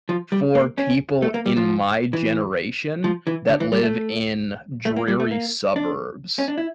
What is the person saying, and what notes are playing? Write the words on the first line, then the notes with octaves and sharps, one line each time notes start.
for people in my generation, that live in dreary suburbs.
F3
G3
A#3
C#4
A3
A#3
G3
F3
E3
F3
E3
D3
E3
G3
A3
A3
A#3
G3
A3
A#3
D4
C#4
D4
E4